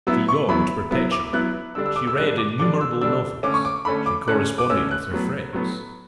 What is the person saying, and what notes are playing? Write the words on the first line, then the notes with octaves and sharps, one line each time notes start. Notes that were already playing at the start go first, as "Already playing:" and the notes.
She yawned perpetually; she read innumerable novels; she corresponded with her friends.
F#3 B3 E4 E6
C#6
F#3 B3 E4 B5
F#3 B3 E4
D6
F#3 B3 E4 F#6
D3 G3 D4 E6
E6
D6
E6
D3 G3 D4 F#6
D6
D3 G3 D4 D6
E6
D3 G3 D4 E6
D3 A3 C#4 D6
C#6
D6
D3 A3 C#4 B5
D6
D3 A3 C#4 F#6
D6
D3 A3 C#4 E6
F#6
A2 F#3 B3
A2 F#3 B3